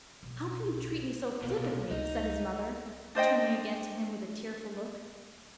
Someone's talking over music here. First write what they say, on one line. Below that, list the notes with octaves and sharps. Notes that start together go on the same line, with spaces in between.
"How can you treat me so flippantly!" said his mother, turning again to him with a tearful look.
B1
C2 B2 A#3
C#2 D#4
D4 C5 D#5 G5